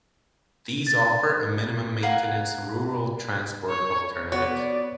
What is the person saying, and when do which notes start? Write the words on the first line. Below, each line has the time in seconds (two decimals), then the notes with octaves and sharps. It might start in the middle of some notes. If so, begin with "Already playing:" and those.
These offer a minimum-maintenance rural transport alternative.
0.87 A6
2.03 A#4 F5 F#5 G#5
3.69 C#5
4.32 B3 F#4 C#5 D5